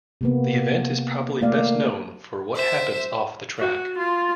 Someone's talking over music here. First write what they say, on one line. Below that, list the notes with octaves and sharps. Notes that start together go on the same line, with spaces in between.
The event is probably best known for what happens off the track.
C3 A#3 B3
A3 A#3 D5 F5
C5 E5
F#4
F4